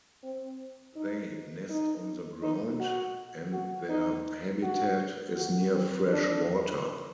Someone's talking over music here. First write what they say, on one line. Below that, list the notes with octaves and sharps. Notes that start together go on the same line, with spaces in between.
They nest on the ground, and their habitat is near fresh water.
C4
D#4
D#4
D#4
F#4
F#4
D#4
F#4
F#4
C4
D4